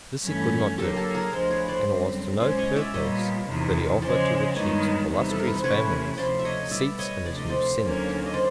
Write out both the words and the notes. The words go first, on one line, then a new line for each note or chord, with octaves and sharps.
This he could not do; and it was to no purpose that he offered to the chiefs of illustrious families seats in his new senate.
G2 E3 A3 C#4
D3 F#3 A#3 G4 A4
G4 A4
G#4 A#4
D2 D3 F3 G#3 A#4 C5
B4 C#5
C5 D5
F#2 D3 G3 C4
B2 G#3 C#4 C5 D5
C#5 D#5
D5 E5
A#2 G3 B3 C#5 D#5
E2 C3 D#3
C#3 F3 G#3 C5 D5
D5
G2 D#3 G#3 B3 C#5 D#5
E2 C3 D#3 G3 B3
A4
A#4
B4
C5
C3 E3 A3 C#4 E4 B4 C#5
D2 C3 F3 C5 D5
E5
C#5 D#5
B2 G3 B3 D5 E5
C#5 D#5
D2 C3 F3 D5
D#5
C5 D5
D#2 D3 F#3 A#3 C#4
D#5
C5 D5